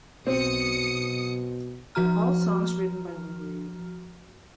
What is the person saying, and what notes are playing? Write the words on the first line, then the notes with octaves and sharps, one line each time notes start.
All songs written by Lou Reed.
B1 B2 C4 D#6 C#7
F3 F#4 A#5 F6